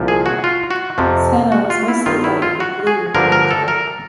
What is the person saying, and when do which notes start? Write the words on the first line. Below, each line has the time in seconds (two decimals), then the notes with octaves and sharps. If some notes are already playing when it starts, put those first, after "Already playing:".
Sanna was mostly white or blue in colour.
Already playing: C2 A#2 F3
0.08 G#4
0.26 F#4
0.44 F4
0.71 F#4
0.98 F2 C3 F3
1.52 F#4
1.70 F4
1.88 E4
2.06 G2 D#3 F4
2.24 E4
2.42 F4
2.60 F#4
2.87 G#4
3.14 G2 D3 F3 A#4
3.32 A#4
3.51 A4
3.68 A#4